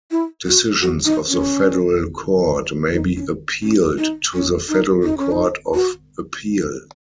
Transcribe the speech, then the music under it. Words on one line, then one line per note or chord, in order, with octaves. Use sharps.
Decisions of the Federal Court may be appealed to the Federal Court of Appeal.
E4
F#4
F#4
D#4
C#4
D#4
C#4
C#4
D#4
C#4
D#4
D#4
C#4
D#4
F#4